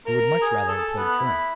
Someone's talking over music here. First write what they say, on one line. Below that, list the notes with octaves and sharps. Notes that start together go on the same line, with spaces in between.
He would much rather have played truant.
A#4
G#4
A4
B3
E4